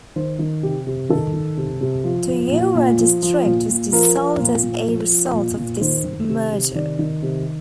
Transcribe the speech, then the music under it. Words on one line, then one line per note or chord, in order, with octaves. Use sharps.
Toyoura District was dissolved as a result of this merger.
D#3 C5
D#3
C3 G4
C3
D#3 A4
D#3
C3
C3
F3
F3
A#2
A#2
F3
F3
A#2
A#2
F3 A#4
F3
A#2
A#2
F3
F3
A#2
A#2
D#3 C5
D#3
C3
C3
D#3 D5
D#3
C3